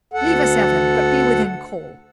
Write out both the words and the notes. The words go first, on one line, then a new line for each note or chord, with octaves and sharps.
Leave us, Evan, but be within call.'
D2 A4 F#5